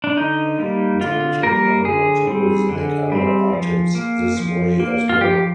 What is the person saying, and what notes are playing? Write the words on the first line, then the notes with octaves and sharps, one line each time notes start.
Dental laboratories make other items this way as well.
D4
D3 D#4
G3 A#3
D3 F4
G3 A#3 A#4
D3 G#4
G3 C4
D3
G3 C4
F3
A#3
F3
A#3
F4
F3 G4